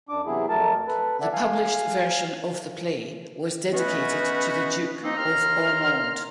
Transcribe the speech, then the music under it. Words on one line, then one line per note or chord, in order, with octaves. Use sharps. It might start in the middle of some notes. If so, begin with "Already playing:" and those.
The published version of the play was dedicated to the Duke of Ormonde.
F#2 D4 D6
C3 E3 F#3 B3 E4 G#4
F2 F#3 A3 A#4 A5
A4 B4
A4 D5 E5 F#5
F5 G#5
G#3 A3 B3 C#4 F#4 B4
F3 A#3 C4 D#4
D#2 A#5 C6 F6